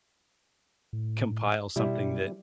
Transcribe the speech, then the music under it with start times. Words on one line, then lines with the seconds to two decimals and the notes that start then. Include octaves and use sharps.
compile something that,
0.93 A2
1.76 B2 G3 E4